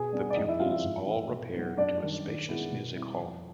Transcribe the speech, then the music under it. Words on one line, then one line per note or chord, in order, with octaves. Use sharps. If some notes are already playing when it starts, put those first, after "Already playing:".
The pupils all repaired to a spacious music-hall.
Already playing: B2 G#4 G#5
G3 B3 D4
D5
F2 D#4 D#5
E4 E5
C#3 F3 G#3 C4 F4 F5
E4 E5
G#2
E3 A3
B2
F#3 B3 D#4
F#2 D4 D5
D#3 G3
D#3
G#3 B3 E4
B2
G3 C4 E4
F2